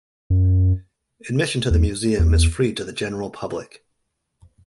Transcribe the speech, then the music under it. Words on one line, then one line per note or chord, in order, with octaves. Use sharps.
Admission to the museum is free to the general public.
F#2
E2
E2